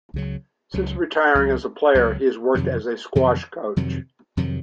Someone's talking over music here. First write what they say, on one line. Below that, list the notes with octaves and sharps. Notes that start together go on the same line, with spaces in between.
Since retiring as a player, he has worked as a squash coach.
C#2 C#3 F#3
C#2 C#3 F#3
C#2 C#3 F#3
C#2 C#3 F#3
F2 C3 D#3 F#3
F2 C3 D#3 F#3
F2 C3 D#3 F#3
F2 C3 D#3 F#3